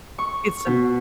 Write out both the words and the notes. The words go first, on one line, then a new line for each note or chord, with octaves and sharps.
It's m
C#6
B2